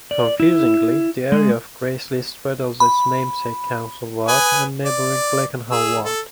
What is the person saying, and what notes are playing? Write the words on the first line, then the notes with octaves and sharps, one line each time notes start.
Confusingly, the area of Graiseley straddles its namesake council ward and neighbouring Blakenhall ward.
D5
E4
G#3
B5
B4 G#5 D#6
D5
G#4 E6
A4